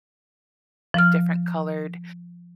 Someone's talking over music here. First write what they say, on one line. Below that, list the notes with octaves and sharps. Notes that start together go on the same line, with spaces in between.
of different colored
F3 F6